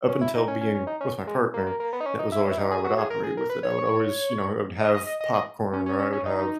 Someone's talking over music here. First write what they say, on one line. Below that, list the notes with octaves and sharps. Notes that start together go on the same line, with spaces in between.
up until being with my partner, that was always how I would operate with it. I would always, you know, I would have popcorn, or I would have,
C#4
E4
D#4
C#4
C#4
C#4
D#4
C#4
G#3
A#3
A#3
A#3
B3
D#4
C#4
D#4
E4
C#4
E4
D#4
G#4
F#4
G#4
A#4
G#4
A#4
B4
C#5
D#5
D#5
D#5
D#5
D#5
C#4
C#4
C#4
C#4
D#4
D#4